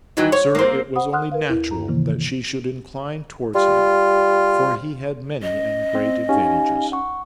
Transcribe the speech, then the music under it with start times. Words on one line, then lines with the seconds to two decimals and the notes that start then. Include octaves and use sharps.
'Sir, it was only natural that she should incline towards him, for he had many and great advantages.
0.17 D#3 E3 F#3
0.32 C#5
0.55 A#3 C4
0.96 C5 F#5 B5 D#6
1.13 F#5 C6 D#6 F6 F#6
1.32 A#4 B4 F5
1.50 D#2 E4
1.68 G2 A#5
1.88 C3 D#3 E3 A#3
3.55 G3 F4
5.42 C#4 D#5
5.95 C4
6.29 C#4 D#4 G4 F5 G#5
6.92 F#5 C#6